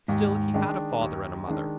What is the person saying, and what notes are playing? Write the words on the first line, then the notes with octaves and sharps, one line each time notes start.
Still, he had a father and a mother.
D#2 G#2
D#3 G#3 D4
D#2
D#3 G#3 D4